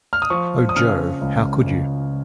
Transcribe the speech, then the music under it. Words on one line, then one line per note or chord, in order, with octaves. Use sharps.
O Jo, how could you?
F6
D#6
F3 C#6
D#6
C#3 F6
C#2
C#2